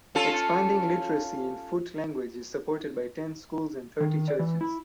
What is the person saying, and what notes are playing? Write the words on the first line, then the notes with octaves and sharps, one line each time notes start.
Expanding Literacy in Fut language is supported by ten schools and thirty churches.
C#4 F4 A4
D#3
D5
E3
E4